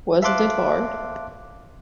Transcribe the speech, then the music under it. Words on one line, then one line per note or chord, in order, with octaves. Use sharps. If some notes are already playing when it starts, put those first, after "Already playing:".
Wasn't it hard?
E5 F5 A5 C6 D6 F#6